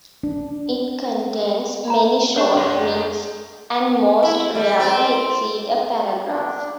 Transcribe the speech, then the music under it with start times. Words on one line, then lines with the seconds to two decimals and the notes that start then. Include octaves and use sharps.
It contains many short myths, and most rarely exceed a paragraph.
0.23 D4
1.88 A#5 B5
2.37 D4 C#5 C#6
2.57 G#4 F#5 C6
4.23 E4
4.55 G3
4.80 C4
6.27 D4